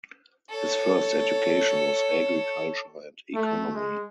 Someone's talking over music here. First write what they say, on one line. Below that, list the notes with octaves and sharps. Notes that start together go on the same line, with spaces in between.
His first education was agriculture and economy.
A4 C#5
A3
G#3